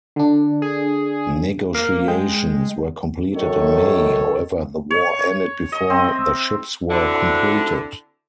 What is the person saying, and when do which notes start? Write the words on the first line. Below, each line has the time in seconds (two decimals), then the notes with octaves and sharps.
Negotiations were completed in May, however the war ended before the ships were completed.
0.16 D3 D4
0.62 G#4
1.75 A#3 F5
2.08 G#3 G5
3.35 F#2 D#3 A4 C#5
4.90 C#5
5.19 C#5
5.72 D#5
5.90 C4
6.04 E5
6.89 D3 C4 D4 E4 F#4